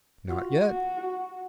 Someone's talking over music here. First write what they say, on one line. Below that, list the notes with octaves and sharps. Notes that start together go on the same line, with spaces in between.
"Not yet."
F4 F#4
F#4
F#4